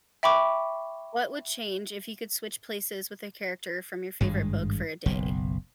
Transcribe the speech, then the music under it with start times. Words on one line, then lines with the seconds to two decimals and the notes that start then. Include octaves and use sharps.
what would change if you could switch places with a character from your favorite book for a day?
0.23 E5 G5 B5 C#6 D6
4.21 G#1 G2 G#3
5.06 F#1 B1